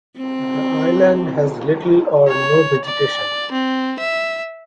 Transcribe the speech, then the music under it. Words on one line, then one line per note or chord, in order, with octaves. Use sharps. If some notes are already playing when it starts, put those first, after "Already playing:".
The island has little or no vegetation.
C4
C#5
D5
C4
E5